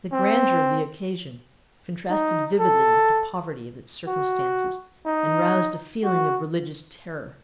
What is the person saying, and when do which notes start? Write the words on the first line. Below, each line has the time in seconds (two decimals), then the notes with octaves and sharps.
The grandeur of the occasion contrasted vividly with the poverty of its circumstances, and roused a feeling of religious terror.
0.13 C4
2.10 D#4
2.59 A4
4.07 F#4
5.06 D#4
6.04 F#4